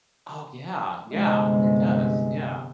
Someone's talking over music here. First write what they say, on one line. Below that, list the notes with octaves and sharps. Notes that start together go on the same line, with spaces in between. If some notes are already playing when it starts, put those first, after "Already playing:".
Oh, yeah, yeah, it does, yeah.
G1 C3 G#3